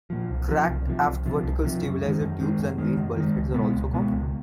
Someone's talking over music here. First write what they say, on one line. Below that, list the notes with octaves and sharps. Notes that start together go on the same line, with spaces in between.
Cracked aft vertical stabilizer tubes and main bulkheads are also common.
A#2 F3
C2
C3 F3
C2
C3 F3
C2
C3 F3
C2
C3 F3
F#2
D#3 G#3
F#2
D#3 G#3
F#2
D#3 G#3
F#2
D#3 G#3
C#2
B2 G#3 B3
C#2
B2 G#3 B3
C#2